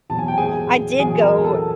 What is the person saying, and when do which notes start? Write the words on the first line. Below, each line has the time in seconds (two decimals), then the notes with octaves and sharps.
I did go
0.09 E2 B2 F#3 A5
0.19 G#5
0.28 G5
0.38 G#4 G#5
0.99 E2 B2 F#3 G#4 G#5
1.22 A#4 A#5
1.44 A4 A5